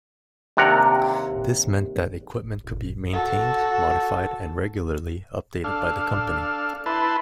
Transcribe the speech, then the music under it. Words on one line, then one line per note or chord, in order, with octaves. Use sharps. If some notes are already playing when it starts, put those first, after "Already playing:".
This meant that equipment could be maintained, modified, and regularly updated by the company.
D#2 C3 D4 A#4 F#5 A#5
F#4 A4
D4 A4 F5
E4 B4 A5 C6